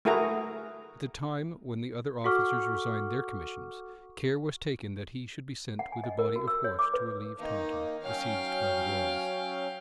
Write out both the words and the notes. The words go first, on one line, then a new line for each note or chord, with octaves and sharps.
At the time when the other officers resigned their commissions, care was taken that he should be sent with a body of horse to relieve Taunton besieged by the royalists.
A3 E4 F#4 G#4 A#4 A#5
F#4 A4 F#5 C#6 D6 F6
F#5
G#5
D#5
A#4
F#4
E6
C#5
D6
B4
D#3 A#3 D#4
F#3 C#4 F5 G5